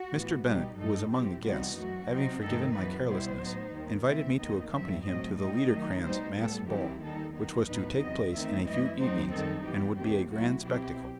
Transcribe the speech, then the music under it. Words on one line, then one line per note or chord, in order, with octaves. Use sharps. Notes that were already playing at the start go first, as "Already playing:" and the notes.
Mr. Bennett, who was among the guests, having forgiven my carelessness, invited me to accompany him to the Liederkranz masked ball, which was to take place in a few evenings, and would be a grand spectacle.
Already playing: F#4
A2 E3 B3
B2 G3 D#4 G4
G2 F#3 A3 D#4 A4
C3 F#3 C4 E4 G4
C3 E3 G3 B3 D#4 F#4
F#2 F#3 A3 F#4
C3 F#3 C4 D#4
G2 D#3 A3 D#4 A4
F#2 E3 B3 B4
B2 G3 B3 E4 C5
A2 F#3 B3 D#4
D#2 D#3 G3
C3 E3 A3 C4 E5
D#2 D#3 F#3 B3 D#4 D#5
G2 F#3 C4 E5
A2 F#3 A3 C4 D#5
A2 G3 D#4 D#5
D#3 F#3 A3 D#4
B2 G3 D#4 C5
A2 G3 B3 A4
D#3 F#3 C4 E4 G4
D#2 D#3 G3 D#4 A4
D#3 F#3 B3 D#4
A2 F#3 B3 D#4 B4
E2 C3 F#3 B3 D#5
D#3 A3 C4 D#4 E5
F#2 E3 A3 E4 D#5
F#2 F#3 C4 D#4 C5
F#2 D#3 G3 D#4 A4
F#2 E3 B3 G4
D#2 D#3 A3 C4 G4
C3 F#3 A3 E4 F#4
B2 F#3 C4 E4 G4